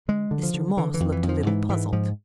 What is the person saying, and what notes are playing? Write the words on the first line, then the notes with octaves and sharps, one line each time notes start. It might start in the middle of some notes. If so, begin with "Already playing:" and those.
Mr. Moss looked a little puzzled.
D3 G#3
D3
F3
D3
D3 E3
E3
F2
E3
F2
F3
G#2 E3
G#2 E3
G#2 F3